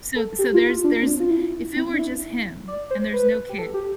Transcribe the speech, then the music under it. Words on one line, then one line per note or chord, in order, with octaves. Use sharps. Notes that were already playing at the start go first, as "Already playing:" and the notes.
So so there's there's if it were just him and there's no kids,
A4
G4
F4
F4
D4
C4
D4
F4
E4
C4
D4
E4
D5
C5
B4
G4
A4
G4